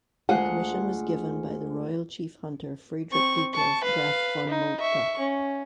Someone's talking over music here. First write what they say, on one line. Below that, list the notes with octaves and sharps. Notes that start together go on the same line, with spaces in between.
The commission was given by the royal chief hunter Friedrich Detlev Graf von Moltke.
D2 G#3 F4 F#5
C4 C#6
A5 C#6
B4 F5
D#4
E5 C#6
C#4